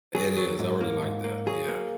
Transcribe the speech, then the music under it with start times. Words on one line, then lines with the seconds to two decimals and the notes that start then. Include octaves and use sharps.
It is, I really like that, yeah.
0.15 F#3 G#4
0.36 F#3
0.59 G#2
0.81 A#3
1.03 G#2
1.24 A#3
1.46 F#3 G#4
1.69 A#3